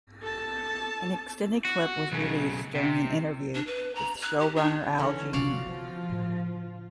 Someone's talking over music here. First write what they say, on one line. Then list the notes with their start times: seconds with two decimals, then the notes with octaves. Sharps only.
An extended clip was released during an interview with showrunner Al Jean.
0.22 A4 A5
1.65 F#4
2.12 B1 C#3
2.75 C3
3.54 D4
3.66 B4
3.95 A#5
4.21 F#6
4.39 G4
4.55 D4
4.98 D3 E3 C#4 D#4
5.33 C3 F3 F4 F#4 D5 F5
5.66 F3 E4
6.09 A2 C#3